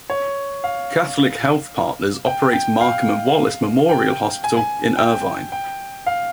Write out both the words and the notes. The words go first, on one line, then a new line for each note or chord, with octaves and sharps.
Catholic Health Partners operates Marcum and Wallace Memorial Hospital in Irvine.
C#5
F5
G5
G5
F5
G5
G#5
G#5
G5
G5
F5